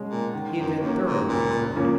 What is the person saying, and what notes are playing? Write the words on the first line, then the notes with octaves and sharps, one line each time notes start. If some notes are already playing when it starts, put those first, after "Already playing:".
He had been thoroughly converted.
Already playing: B2 G#3 C#4
A#2
D#3
F#2
F#2 A#3 C#4
G#2
C#2 A#2
C#3 F3 A#3 C#4